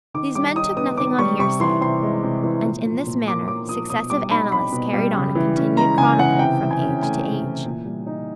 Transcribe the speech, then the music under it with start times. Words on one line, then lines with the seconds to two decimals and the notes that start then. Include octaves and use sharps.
These men took nothing on hearsay: and in this manner successive annalists carried on a continued chronicle from age to age.
0.14 D#3 D6
0.35 G3 D6
0.56 D#4 D#6
0.77 B3 D#6
0.97 D#3 D6
1.19 G3 C#6
1.39 C3 C#6
1.60 E3 C6
1.81 C3 C6
2.03 G#3
2.23 C3
2.44 E3
2.65 A#2
2.85 F3
3.07 A#2
3.27 A#3 D6
3.48 A#2 D6
3.69 F3 D#6
3.90 B2 D#6
4.10 G3 D6
4.31 D#4 B5
4.52 C4 B5
4.72 B2
4.93 G3
5.15 C#3
5.35 E3
5.56 C#4
5.77 G#3 A#5
5.98 C#3 G#5
6.19 E3 F#5
6.39 C3 G5
6.60 E3
6.71 G#5
6.81 C#4
7.02 A3 G#5
7.24 C3
7.44 E3
7.64 A#2
7.86 G3
8.07 D#4